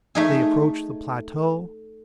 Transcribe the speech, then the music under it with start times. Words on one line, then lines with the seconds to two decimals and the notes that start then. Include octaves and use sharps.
They approached the plateau.
0.15 A3 D#4 G#4